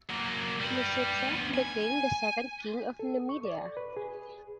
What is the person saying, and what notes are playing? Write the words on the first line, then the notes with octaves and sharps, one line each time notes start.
Micipsa became the second king of Numidia.
F#3 A#3
G3 B4
D2 B3
G#5
A4
C#6
D5
B4
G#4